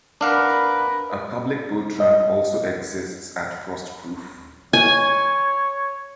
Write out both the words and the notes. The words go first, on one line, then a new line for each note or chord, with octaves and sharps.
A public boat ramp also exists at Frostproof.
D4 A#4 B4 F5 F#5
D#5
C#5 G#5